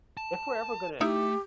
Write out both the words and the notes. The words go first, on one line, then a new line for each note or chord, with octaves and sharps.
if we're ever gonna
A5
A3 D#4 E4 G4